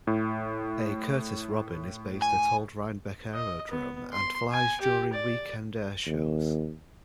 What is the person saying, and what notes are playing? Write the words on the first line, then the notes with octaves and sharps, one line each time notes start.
A Curtiss Robin is based at Old Rhinebeck Aerodrome and flies during weekend airshows.
A2
G#5
D#5
B3
C6
G#5
G4
D5
D#2